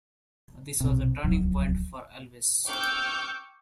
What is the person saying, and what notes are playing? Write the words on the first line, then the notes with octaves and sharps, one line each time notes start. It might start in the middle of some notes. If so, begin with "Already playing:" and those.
This was a turning point for Elvis.
B1 C3
D1 C2 F3 F#3
G5 C#6 D6 E6 F6 G6